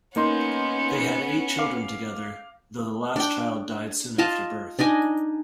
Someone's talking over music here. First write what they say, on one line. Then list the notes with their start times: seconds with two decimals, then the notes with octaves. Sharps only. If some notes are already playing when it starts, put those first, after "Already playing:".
They had eight children together, though the last child died soon after birth.
0.16 A#3 B3 C#4 D#4 C6
1.58 F5 D6
3.16 D4 G5
4.18 F4 D#5 F5 A5
4.79 D4 D#4 D#5 G#5